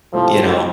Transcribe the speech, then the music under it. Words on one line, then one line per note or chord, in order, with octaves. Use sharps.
you know,
F2 C3 E3 F3 A3 C4